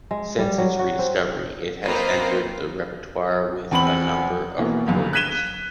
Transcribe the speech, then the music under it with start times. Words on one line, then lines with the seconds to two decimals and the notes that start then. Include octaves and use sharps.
Since its rediscovery, it has entered the repertoire with a number of recordings.
0.11 G#3
0.39 G3
0.58 F#3
0.79 F#4
0.99 C4
1.85 A#3 C4 D#4 F4 B4 C5
3.71 E2 C4 B5 F#7
4.58 B2 E3 A#3 B3
4.87 G1 C#2 F#2
5.13 F#6 G#6 B6 D#7 E7 G7